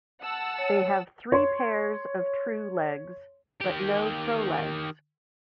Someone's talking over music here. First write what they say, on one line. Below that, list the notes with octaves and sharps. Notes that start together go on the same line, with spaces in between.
They have three pairs of true legs, but no prolegs.
F#5 A5 E6
C#5
C#5 C6
D#3 G4